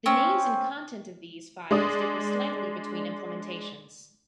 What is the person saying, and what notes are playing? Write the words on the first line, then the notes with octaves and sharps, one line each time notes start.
The names and content of these files differ slightly between implementations.
C4 C#4
G#3 D4 D#6